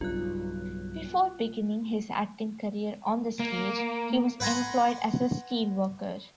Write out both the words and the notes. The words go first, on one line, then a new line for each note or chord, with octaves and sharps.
Before beginning his acting career on the stage, he was employed as a steelworker.
B1 G2 C#3 F4 F#6
A#3
B4 F#5 G#5 A#5 C6